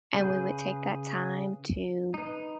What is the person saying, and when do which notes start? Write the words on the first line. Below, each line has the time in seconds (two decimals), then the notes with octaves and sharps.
and we would take that time to
0.14 C#3 G#4 B4 G6
2.14 D#4 B4